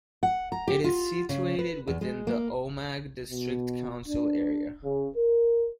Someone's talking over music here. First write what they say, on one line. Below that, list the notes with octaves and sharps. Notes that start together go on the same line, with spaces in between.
It is situated within the Omagh District Council area.
F#5
A#5
G4
F4
C#3
B4
E2
G#3
A#3
B2
D4
C#3
A#4